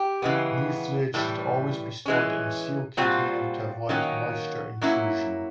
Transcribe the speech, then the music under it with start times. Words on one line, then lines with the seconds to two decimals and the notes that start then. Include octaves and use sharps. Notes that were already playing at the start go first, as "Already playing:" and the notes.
New fluid should always be stored in a sealed container to avoid moisture intrusion.
Already playing: G4
0.22 C#3 E3 G#3 B3
1.14 A2 E3 G3
2.05 E3 G#3 C#4
2.97 A#2 G3 C4 F4 F#4
3.89 D#3 F#3 A#3 C#4
4.81 F#3 A#3 C#4 E4